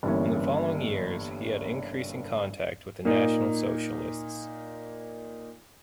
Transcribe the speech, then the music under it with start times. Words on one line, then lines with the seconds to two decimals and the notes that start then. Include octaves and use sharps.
In the following years he had increasing contact with the National Socialists.
0.03 G1 G2 E3 A#3 C#4
3.05 A#2 A#3 D#4